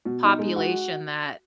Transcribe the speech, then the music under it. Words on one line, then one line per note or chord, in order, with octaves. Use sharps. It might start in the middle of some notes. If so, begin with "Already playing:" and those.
population that
B2
D#4
G#3
F#4